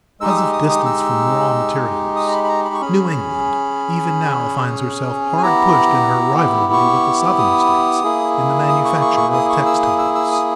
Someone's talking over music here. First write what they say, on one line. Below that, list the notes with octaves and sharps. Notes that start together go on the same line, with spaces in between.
Because of distance from raw materials, New England even now finds herself hard pushed in her rivalry with the Southern states in the manufacture of textiles.
G#3 D#4 G4 E6
D#6
E6
D#6
D#6
E6
D#6
A#5
B5
B5
A#5
B5
C#6
C#4 G#4 B5
G#5
B3 E4 G4 A#5
C#6
D#6
A#3 E4 G#4
D#6
C#6
C#6
C#6
D#6
C#6
E6
D#6
E6
E6
D#6